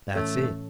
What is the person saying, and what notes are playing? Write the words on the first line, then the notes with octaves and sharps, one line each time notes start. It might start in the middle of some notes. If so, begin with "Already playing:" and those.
Dat's it.
A2 E3 A3 C#4 A4 C#5